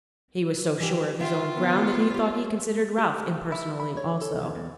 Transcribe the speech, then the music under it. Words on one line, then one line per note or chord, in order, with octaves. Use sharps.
He was so sure of his own ground that he thought he considered Ralph impersonally, also.
E3 G4 G5
D3 F4 E5 G5
B3
G4 C#5
G4
E4
B5
C#5
A4
D#2
E2